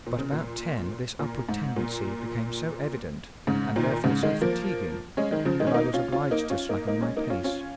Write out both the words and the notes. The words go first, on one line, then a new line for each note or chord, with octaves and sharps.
But about ten this upward tendency became so evident, and therefore so fatiguing, that I was obliged to slacken my pace.
A#2
C#3
A#2
A#2
G#2
A#2
G#2 C#3
A#2 D#3
G#2 C#3
D#3 G#3
F3 A#3
G#3 C#4
D#3 G#3
C#3 F3
D#3 G#3
C#4
A#3 D#4
C#4 F4
C#4 F4
A#3 D#4
C#4 F4
A#3 D#4
A#3 D#4
G#3 C#4
A#3 D#4
C#4 F4
C#4 F4